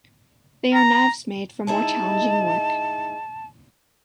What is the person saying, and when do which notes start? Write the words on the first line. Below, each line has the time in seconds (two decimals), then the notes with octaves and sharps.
They are knives made for more challenging work.
0.74 A#5
1.67 G#3 D#4 E4 A5